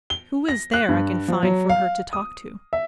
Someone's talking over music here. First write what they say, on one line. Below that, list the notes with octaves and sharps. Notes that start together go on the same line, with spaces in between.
Who is there I can find for her to talk to?'
G7
A#6
F#6
G2
F3
F#3
F5
D#6
E5